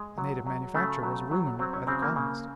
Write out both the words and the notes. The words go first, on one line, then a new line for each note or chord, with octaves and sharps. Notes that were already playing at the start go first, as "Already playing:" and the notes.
The native manufacturer was ruined by the colonist.
Already playing: G#3
F#3
F#3
C#3 A3
F#3
F#3
F#3 C4
C#4
C#3 C4
A#3
C#3